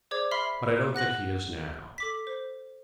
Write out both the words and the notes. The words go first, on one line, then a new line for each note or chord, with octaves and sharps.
But I don't think he is, now.
G#4 C5 D5 D6 G#6
E5 B5 C6 F6 C7 G7
F#5 F#6 A#6 F#7
A4 D6 B6
C5